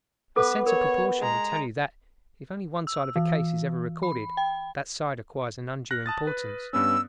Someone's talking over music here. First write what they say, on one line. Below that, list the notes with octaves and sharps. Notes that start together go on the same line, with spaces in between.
A sense of proportion would tell you that, if only one side of a case is ever recorded, that side acquires an undue importance.
B3 A4 B4 D6
A#4 C#5
G#3 A#5
E6
E3
B5
G5
F6 F#6 A#6
A5 D#6 A6
B4
G2 B3 C#4 E6